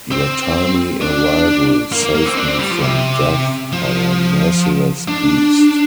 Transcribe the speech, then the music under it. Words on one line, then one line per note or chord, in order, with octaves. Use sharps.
Your timely arrival saved me from death by a merciless beast.
C4
D4
A#3
A#3
A#3
C4
D4
C4
G3
F3
C3
F3
D4